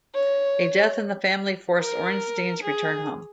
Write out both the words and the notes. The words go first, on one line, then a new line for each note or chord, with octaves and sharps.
A death in the family forced Ornstein's return home.
C#5
A#4
G#4